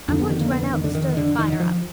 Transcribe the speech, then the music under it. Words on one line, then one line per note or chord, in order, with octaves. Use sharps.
I'm going to run out and stir the fire up.
F2 D3 D4
B3
D#3
A#3
B3
D3
D#3
D3
D#3
D3
D#3
D#3
F3